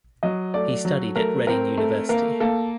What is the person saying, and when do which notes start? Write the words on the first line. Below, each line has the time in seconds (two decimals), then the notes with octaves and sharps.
He studied at Reading University.
0.23 F#3 D#5
0.54 A3 D5
0.85 F#3
1.16 A3 A#4
1.47 C4 A#4
1.77 A3
2.09 A#3 A#4
2.40 A#3 A4